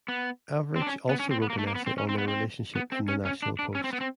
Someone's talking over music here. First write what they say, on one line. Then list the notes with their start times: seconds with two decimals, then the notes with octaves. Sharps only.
Avrich also wrote an essay on their relationship in The National Post.
0.08 B3
0.76 C4
0.82 D4
0.87 C#4
1.09 B3
1.20 C#4
1.31 C4
1.42 B3
1.50 A#3
1.58 A3
1.67 A#3
1.75 B3
1.86 C4
1.98 C#4
2.09 C4
2.18 B3
2.28 C4
2.76 B3
2.92 C4
3.08 C#4
3.25 C#4
3.42 D4
3.59 D4
3.75 C#4
3.84 C4
3.93 B3
4.01 C4